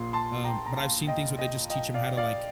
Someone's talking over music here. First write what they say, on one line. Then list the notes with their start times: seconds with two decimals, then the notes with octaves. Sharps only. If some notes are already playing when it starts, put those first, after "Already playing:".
Um, but I've seen things where they just teach 'em how to, like,
Already playing: A#1 A#2 C6
0.13 A5 C6
0.44 G5 A#5
0.66 A#5
0.76 F5 A5
1.07 D#5 G5
1.39 D#5 G5
1.70 D#5 G5
1.94 D5 F5
2.17 D5 F5